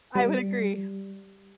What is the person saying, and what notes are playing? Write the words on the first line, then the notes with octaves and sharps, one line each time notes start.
I would agree.
G3